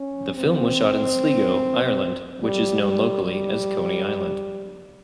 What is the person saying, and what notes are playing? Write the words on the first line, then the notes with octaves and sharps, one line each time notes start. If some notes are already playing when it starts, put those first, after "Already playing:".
The film was shot in Sligo, Ireland, which is known locally as "Coney Island".
Already playing: C#4
C4
G3
G3
G3